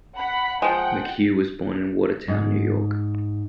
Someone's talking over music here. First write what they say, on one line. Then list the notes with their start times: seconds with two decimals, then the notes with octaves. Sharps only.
McHugh was born in Watertown, New York.
0.18 F#5 B5
0.62 F3 G#3 F#5 G5
2.28 G#2